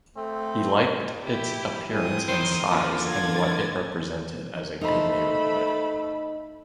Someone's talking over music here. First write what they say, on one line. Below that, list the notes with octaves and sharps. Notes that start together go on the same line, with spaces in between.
He liked its appearance and size, and what it represented as a good neighborhood.
A3 C4
E4 G4
C4 E4 G#4 A4 D#6
D#3 C5
F#2 D3 F3 A#3 F4
A#4 G#6 A6
A3 D#4 C5 B5